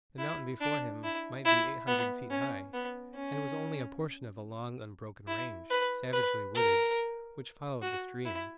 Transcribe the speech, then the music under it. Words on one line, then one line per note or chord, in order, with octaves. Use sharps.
The mountain before him might be eight hundred feet high, and was only a portion of a long unbroken range, savagely wooded, which followed the stream.
E4
D4
E4
E4
B3
C#4
B3
C#4
E4
B4
B4
A#4
F#4
E4